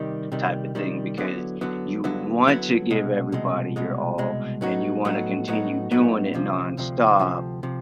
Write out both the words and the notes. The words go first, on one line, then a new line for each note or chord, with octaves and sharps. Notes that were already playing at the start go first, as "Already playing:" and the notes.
type of thing because you want to give everybody your all, and you wanna continue doing it nonstop
Already playing: C3 D#3 G3
C3 D#3 G3
C3 D#3 G3
D3 F#3 B3 E4
D3 F#3 B3 E4
D3 F#3 B3 E4
D3 F#3 B3 E4
C2 B2 G#3
C2 B2 G#3
C2 B2 G#3
C2 B2 G#3
A2 F#3 B3 D#4 F#4
A2 F#3 B3 D#4 F#4
A2 F#3 B3 D#4 F#4
A2 F#3 B3 D#4 F#4
D2 C3 F3
D2 C3 F3
D2 C3 F3
C3 F3